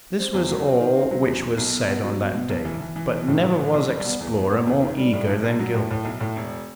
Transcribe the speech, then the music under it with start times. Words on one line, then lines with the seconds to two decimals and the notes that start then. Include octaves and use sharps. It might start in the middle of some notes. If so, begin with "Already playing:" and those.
This was all which was said on that day, but never was explorer more eager than Gilbert.
0.18 C4
0.34 E2
0.49 F#3
0.64 C4
0.80 D#3
0.95 C4
1.11 F#3
1.26 E2
1.41 B2
1.58 B1
1.73 B2
1.87 B3
2.03 F#3
2.19 B3
2.34 B2
2.49 B1
2.65 E3
2.80 E3
2.96 E3
3.12 B1
3.28 A2
3.43 A2
3.59 E3
3.74 B1
3.89 G3
4.05 B3
4.20 E2
4.36 B3
4.50 B3
4.66 E2
4.81 D#3
4.97 G3
5.13 A2
5.28 B1
5.44 B1
5.59 F#3
5.74 A2
5.90 A2
6.05 B1
6.20 A2
6.36 E1